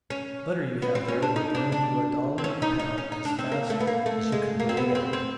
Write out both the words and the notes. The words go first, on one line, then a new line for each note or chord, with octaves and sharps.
The butter you have there would bring you a dollar a pound as fast as you could weigh it out.
C#4
B3
C4
C#4
D4
D#4
D4
D4
C4
C#4
D#4
D#4
C#4
D#4
D4
C4
A#3
A3
B3
A#3
A3
G#3
A#3
C4
B3
C4
C4